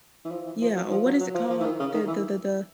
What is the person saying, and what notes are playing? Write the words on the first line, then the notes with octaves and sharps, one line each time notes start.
Yeah, or, what is it called? The the the the
E3
F3
E3
F3
F#3
F3
F#3
F#3
F3
F3
E3
D#3
C#3
D#3
E3